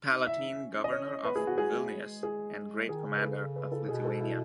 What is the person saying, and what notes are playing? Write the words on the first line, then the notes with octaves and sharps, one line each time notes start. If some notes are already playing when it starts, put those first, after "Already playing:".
Palatine-Governor of Vilnius and Great-Commander of Lithuania.
D#4
E4 E5
D#4
C#4
D#5
C#5
B3 B4
A3 G#4
B3 F#4
G#3 G#4
G#3
A3
G#3
G#4
D#3 G#4
C#3
B4
A4
B4
A4
B2 G#4
A4
E4